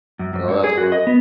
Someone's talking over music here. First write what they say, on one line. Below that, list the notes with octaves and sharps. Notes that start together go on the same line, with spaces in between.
Oh, that's brutal.
F#2
F#2
G2
G#4
F#4
D#5
B3